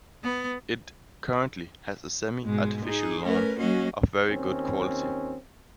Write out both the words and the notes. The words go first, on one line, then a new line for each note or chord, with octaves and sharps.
It currently has a semi-artificial lawn of very good quality.
B3
G#2 B2 G#3
D#4 G#4
A3 C#4 A#4 B4
F#3 A#3 C#4 F#4 D#5
D#2 C4 C#4